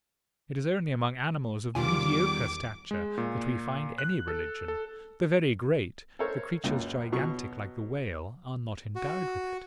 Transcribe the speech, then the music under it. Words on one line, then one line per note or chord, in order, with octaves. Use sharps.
It is only among animals of mediocre stature that we find any religion; the very great, the creatures gigantic like the whale are not endowed with it.
E2 D#3 G3 F4 G#5 D6
G#3
A#2
F#6
A4
A4
A4 A#4 C5 C#5
C#2 F#2 A#2
B2 F#3 C#6
F#4